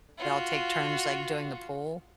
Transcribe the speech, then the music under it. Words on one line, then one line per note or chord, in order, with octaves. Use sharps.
we all take turns, like, doing the pool.
F4 F#4